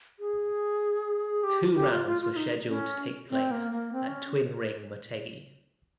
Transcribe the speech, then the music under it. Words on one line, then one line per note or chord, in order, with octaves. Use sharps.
Two rounds were scheduled to take place at Twin Ring Motegi.
G#4
G4
G4
F4
F4
F4
F4
D#4
C#4
C4
A#3
A#3
C4
C#4